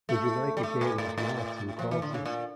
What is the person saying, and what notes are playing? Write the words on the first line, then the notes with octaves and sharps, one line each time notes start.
Would you like a game of noughts and crosses?
A3
G3
A3
A#2
A2
A2
F3
E3
D3
C#3
A#2